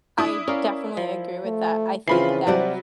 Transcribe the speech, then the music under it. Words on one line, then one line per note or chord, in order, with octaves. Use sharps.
I definitely agree with that, I think that,
D4 E4 D#6
C#4 A#4 D5 F5
F3
A3
C#3 E3 F3 C4 F4 B5 C7
C3 F#3 G3 C5 D5 F#5